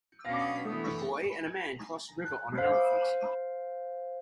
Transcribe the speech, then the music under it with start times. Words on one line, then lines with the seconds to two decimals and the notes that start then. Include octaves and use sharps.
A boy and a man cross a river on an elephant.
0.25 B2 C#4 D4 F5 A#6
0.65 E3 A3 B3
2.58 C5 F5